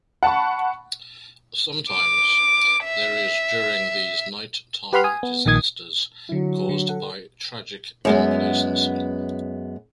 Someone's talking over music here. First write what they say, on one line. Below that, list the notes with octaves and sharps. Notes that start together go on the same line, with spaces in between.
Sometimes, there is during these night-time disasters caused by tragic complacency.
F#5 A5 B5 C#6
D6
E5
G4 B4 F#5 B5 C6 F6
G#5 D#6
B3
A#1 A#2 D#3 D#6 G#6
D3 F#3 E4
D3
A4 F#5
F#2 G#3 B3